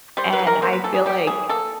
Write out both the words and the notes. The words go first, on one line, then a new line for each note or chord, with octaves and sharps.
and I feel like
G3 C5
B4
E3
A#4
A#3 C5
B4
E3 A4
G#4
G3 G4
E3 G#4
A#3 A4